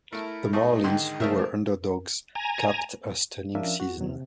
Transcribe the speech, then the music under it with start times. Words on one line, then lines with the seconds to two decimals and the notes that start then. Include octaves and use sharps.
The Marlins, who were underdogs, capped a stunning season.
0.13 A3 E4 A#4
0.53 A2 G#3 A3 D#4 D#5
0.84 G#2 D3 D#3 C6
1.20 C#3 F3 A3 A#4 E5 F6
2.35 G#5 A#5
3.55 F3 C#4 D4 A#4 E5 F5
3.80 F#4
3.97 F#2 B2 D#3 F#3
4.09 C3